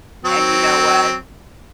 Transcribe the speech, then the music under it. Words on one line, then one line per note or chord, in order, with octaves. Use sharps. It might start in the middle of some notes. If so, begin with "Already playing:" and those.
and you know what?
F#3 C4